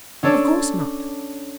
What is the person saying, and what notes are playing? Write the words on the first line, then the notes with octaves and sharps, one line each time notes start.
Of course not!
C#4 D4 A4 C#5 D5